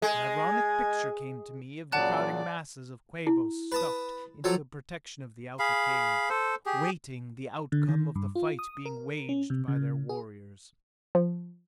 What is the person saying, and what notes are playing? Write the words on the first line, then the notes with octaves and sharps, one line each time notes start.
An ironic picture came to me of the crowding masses of Quabos stuffed into the protection of the outer cave, waiting the outcome of the fight being waged by their warriors.
G#3 G#5
A#2 C#3 F#3 D5 F#5 A5 F#6
E4
B4 A5 D#6
F3 F#3 A4
G#4 F5 B5
A4 C5
G4 G#4
D3
D#3
G2
F4
D#6
A#4
C#4
C3
C#3
G#4
F3